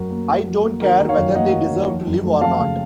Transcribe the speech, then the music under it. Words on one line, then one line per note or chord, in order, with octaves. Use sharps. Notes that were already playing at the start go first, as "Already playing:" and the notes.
I don't care whether they deserve to live or not.
Already playing: F#2 F#3 F#4 A#4
A#3
A#3
F#3
A#3
D#3 F#4 A#4
D#3
C#5 F5
F#2
A#3 D#5 F#5
F#3
D#3
F3
F#2
A3
F3 F5 A5
C#3